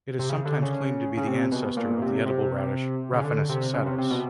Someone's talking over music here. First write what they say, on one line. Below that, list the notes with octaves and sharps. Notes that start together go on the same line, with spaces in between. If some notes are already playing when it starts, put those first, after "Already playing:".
It is sometimes claimed to be the ancestor of the edible radish, "Raphanus sativus".
C3
C#3
D3
C#3
C#3
C3
B2
A#2
C3
C3
C#3
D3
C3
C#3
C3
C3
B2